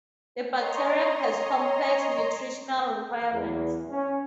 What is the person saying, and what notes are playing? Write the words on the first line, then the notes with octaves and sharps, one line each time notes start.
The bacterium has complex nutritional requirements.
C#5 D#5 A#5 C6
E2
C#4